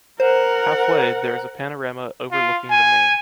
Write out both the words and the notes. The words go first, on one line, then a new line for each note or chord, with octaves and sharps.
Halfway, there is a panorama overlooking the Main.
A#4 C5 F#5
F4
G#5